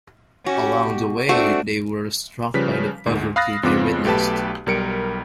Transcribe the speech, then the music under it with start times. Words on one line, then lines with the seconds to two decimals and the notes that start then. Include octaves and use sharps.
Along the way they were struck by the poverty they witnessed.
0.46 C#4 F#4 G4
0.88 B2
1.29 A3 C4 D4 F#4 D5
2.54 C#3 F3 G3 B4 B6
3.06 D2 G#2
3.36 F5 B5 D#6 F#6 A6 A#6
3.63 F2 C#3 B3 C4 F4 D6
4.05 B1 A3 G4 B4 A5
4.66 B1 G3 A#4 C#7 D7